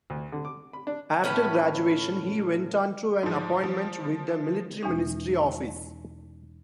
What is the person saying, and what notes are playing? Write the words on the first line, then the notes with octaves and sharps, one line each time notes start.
After graduation, he went on to an appointment with the Military Ministry Office.
D2
D3
D6
B5
D4
A2 C#4 B4
G#2 F3
F3
E2 B2 E3 G#3 C#4 D#4